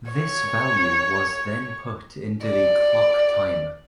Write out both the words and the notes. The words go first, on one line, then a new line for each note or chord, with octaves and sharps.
This value was then put into the clock timer.
C#5
D5